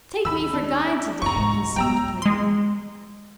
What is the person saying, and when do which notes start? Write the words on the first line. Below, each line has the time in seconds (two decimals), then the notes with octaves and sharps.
"Take me for guide to-day," he seemed to plead.
0.25 D#2 B5 E6
0.53 D4
1.22 G#1 D3 A#5 C#6
1.36 G#2 C#3
1.76 F#3 B3 G5 A#5 E6
2.22 G#3 C6